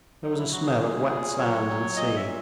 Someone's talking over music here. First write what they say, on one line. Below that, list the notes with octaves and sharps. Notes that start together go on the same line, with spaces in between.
There was a smell of wet sand and sea.
F#3 D#4
E4
F#3 F#4
G#4
A#2 G#4
A#2
F#3 C#5
F#3
A#2 D#5
E5
A#2